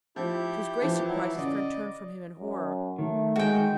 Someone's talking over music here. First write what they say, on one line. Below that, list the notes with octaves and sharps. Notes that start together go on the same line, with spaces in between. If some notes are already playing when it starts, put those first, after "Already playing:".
To his great surprise his friend turned from him in horror.
F3 E4 G4 G6
E3 F3
F#3 E4
C#3 D5 D#5
F#2
D#3 A3
G#3 F#4 G5